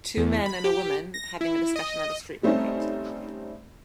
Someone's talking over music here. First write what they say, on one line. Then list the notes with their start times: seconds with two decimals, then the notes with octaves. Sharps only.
Two men and a woman having a discussion at a street market.
0.17 E2
0.46 B5
0.64 G4
1.14 A#6
1.41 E4
1.76 D#5
2.43 G3 A3 C4 C#4 D#4